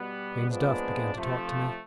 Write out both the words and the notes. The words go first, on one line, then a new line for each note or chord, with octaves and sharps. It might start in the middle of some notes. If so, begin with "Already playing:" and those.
James Duff began to talk to me.
Already playing: B2 G3 B3
A#2 F3 G#3 B3 D4
C3 F3 A3